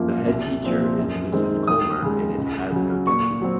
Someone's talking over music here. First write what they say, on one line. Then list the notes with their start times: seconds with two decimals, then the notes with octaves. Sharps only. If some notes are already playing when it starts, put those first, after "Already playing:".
The head Teacher is Mrs Colmer and it has no deputy.
Already playing: F#2 F3 A#3
0.28 C2
0.63 A#2 F3 C4
0.98 F#2
1.32 D#3 G#3 C4
1.67 D#2 D#6
2.03 C#3 G#3
2.38 C#2
2.72 C#3 F#3
3.07 A#2 C#6
3.42 F#3 C4